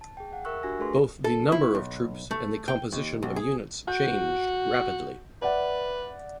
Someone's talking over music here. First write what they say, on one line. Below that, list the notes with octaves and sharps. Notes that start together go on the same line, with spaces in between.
Both the number of troops and the composition of units changed rapidly.
A5
G#4 G5
F5 F#5
A#4 E5 F#5 C#6 E6 F#6
D4 F#4 G4 G#5 C#6 A#6
A3 D4 G#4 A4 B4 C6
A4
E4
B1
A3
G5
D#2
B1
G#4
F#4 G6
B4 D5 E5 F#5